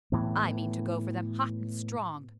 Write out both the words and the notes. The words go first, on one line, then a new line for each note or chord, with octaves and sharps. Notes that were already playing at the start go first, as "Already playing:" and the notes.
I mean to go for them hot and strong.
A2 E3 B3